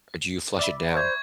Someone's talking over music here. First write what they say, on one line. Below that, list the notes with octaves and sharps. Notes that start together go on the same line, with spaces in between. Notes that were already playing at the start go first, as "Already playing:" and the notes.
or do you flush it down?
D5 E5 B5
C5 C#6 G#6